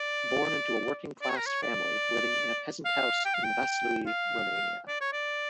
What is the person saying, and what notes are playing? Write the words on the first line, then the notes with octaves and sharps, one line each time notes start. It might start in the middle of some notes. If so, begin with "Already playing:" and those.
Born into a working-class family living in a peasant house in Vaslui, Romania.
Already playing: D5
D5
C#5
A#4
C#5
D5
F5
G5
F5
G5
F5
D5
C#5
D5